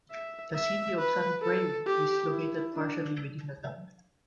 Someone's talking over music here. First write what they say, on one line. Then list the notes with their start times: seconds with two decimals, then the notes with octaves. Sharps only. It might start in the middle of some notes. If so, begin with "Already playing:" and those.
The City of Sun Prairie is located partially within the town.
0.11 E5
0.55 E5
0.99 B4
1.42 A4
1.86 G4
2.30 E4
2.73 D4